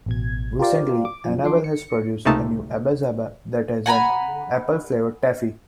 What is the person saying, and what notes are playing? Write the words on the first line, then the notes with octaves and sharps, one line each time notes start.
Recently Annabelle has produced a new Abba-Zaba that has an apple flavored taffy.
A1 B2 G#6
F4 G4 A#4 C5 D5 F5
D6
F#2 F3
F3 D4 C6 D6
C#7
C#2 C3 A3 A#3 D#4 A5
F#5 G#5 A#5 B5